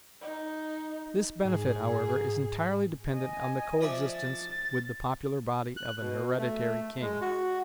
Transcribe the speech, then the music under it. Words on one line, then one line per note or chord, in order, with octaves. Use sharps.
This benefit, however, is entirely dependent on the coexistence with the popular body of an hereditary king.
D#4
G#2 G#4
D#5 G#5
F3 D5 E5
A6
F#6
B2
A3
G#3
F#4